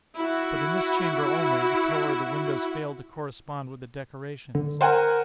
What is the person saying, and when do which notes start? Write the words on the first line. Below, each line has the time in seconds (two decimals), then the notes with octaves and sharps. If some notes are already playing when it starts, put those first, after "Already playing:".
But in this chamber only, the color of the windows failed to correspond with the decorations.
0.17 E4 F#4
4.55 D3
4.81 A#4 C5 F#5 G#5